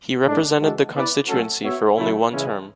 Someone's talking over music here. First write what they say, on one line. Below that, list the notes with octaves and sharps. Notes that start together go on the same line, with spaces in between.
He represented the Constituency for only one term.
A2 G#3 D4 A4
E3 G#3 D4 F#4 A4
B3 E4 B4 D5
F#3 A3 C#4 F#4 A4
B3 F#4 C#5 E5
C#3 F#3 A3 E4
C#3 E3 G#3 C#4 E4